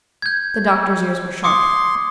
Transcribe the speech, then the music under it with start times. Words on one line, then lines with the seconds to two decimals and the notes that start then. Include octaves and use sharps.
The Doctor's ears were sharp.
0.22 G6 G#6
1.44 C6 D6 D#6 C#7